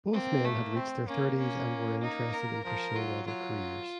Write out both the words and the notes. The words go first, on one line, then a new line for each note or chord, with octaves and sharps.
Both men had reached their thirties and were interested in pursuing other careers.
A#3 C4
A3
C4
A#3 C#4
C#4
D#4
A#4
F3 A#4
F#3 F4
F#3 F4